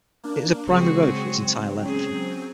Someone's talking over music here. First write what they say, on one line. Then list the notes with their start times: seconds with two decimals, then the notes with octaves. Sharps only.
It is a primary road for its entire length.
0.24 A#3 D4
0.67 C#3 F#3 G#3 C4 F#4 G#4
1.86 C#4 G#4